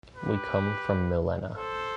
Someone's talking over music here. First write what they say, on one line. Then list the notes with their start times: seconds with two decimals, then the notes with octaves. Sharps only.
We come from Millena.
0.17 G4 B4
1.57 A4 C5